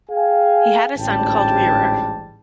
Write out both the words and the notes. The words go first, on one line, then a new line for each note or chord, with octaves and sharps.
He had a son called Rerir.
G#4 F5 G5 G#5
A1 D2 G#2 G3 G5 A5